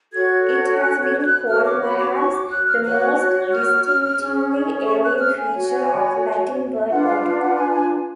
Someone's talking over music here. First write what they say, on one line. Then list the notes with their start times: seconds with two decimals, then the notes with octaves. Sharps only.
It has been called perhaps the most distinctively alien feature of Latin word order.
0.13 F#4 A4 C#5 G#6
0.47 G#6
0.80 F#6
1.03 G#6
1.20 G#6
1.25 F#6
1.48 F#4 C#5 F6
1.65 D6
1.82 B5
1.99 D6
2.16 C#6
2.32 D6
2.50 F#6
2.66 F6
2.83 F#4 C#5 F#6
3.17 F#6
3.51 F6
4.18 C#4 G#4 C#5
4.86 C#6
5.03 F#6
5.19 F6
5.36 G#5
5.54 F#4 C#5
6.88 D4 F4 B4 F#5
7.06 F5
7.22 F5
7.39 F#5
7.56 G#5
7.73 G#5